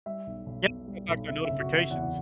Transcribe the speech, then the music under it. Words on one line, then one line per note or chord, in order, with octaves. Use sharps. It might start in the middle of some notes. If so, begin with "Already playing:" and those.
Yeah, with like the notifications.
G3 E5
B1
B1
B2
G3
B1
C3 E5
F#1 E5
F#4
F#1
E5
E2 F#5